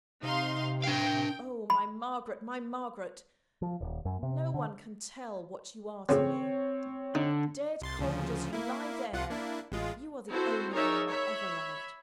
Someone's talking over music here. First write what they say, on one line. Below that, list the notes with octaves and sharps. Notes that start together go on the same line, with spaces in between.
'Oh, my Margaret--my Margaret! no one can tell what you are to me! Dead--cold as you lie there, you are the only woman I ever loved!
C3 D#4 F5 C6
D4 F5 G5
B5
F3
D#1
F#2
C3
D3
A2 C#3 F#3 C4 C#5
D3 D#4
C2 C6 A6
D2 C#3 F3
A#3 E4
C2 F4 F#5
A#3 D4 E4
A1 G#3 F4
C4 E4 F#4 A4 C5
D#4 G#4 A#4 C#5 D5 E5
C#5 E5 B5